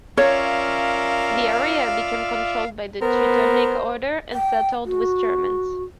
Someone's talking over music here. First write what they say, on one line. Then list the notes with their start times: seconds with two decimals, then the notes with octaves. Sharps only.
The area became controlled by the Teutonic Order and settled with Germans.
0.17 C#4 F4 A#4 C#5 D5 E5 F5
3.02 B3 A#4 C5
4.33 G5
4.85 F#4